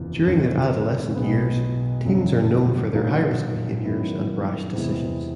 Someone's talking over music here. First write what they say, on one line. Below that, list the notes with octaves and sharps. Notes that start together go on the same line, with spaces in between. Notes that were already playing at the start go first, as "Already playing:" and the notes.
During their adolescent years, teens are known for their high-risk behaviors and rash decisions.
Already playing: F#1 E2 C3 F3
G1 F#2 C#3
B1 B2 G#3 B3
G1 F2 C#3 F#3
A#1 A#2 F#3 A#3 D#4
F#2 D#3 F#3 B3 E4
E2 C3 E3 G#3 B3